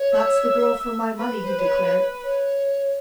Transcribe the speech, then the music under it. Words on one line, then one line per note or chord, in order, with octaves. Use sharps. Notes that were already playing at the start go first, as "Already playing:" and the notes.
"That's the girl for my money," he declared.
Already playing: C#5
E5
B4
C5
C#5
C#5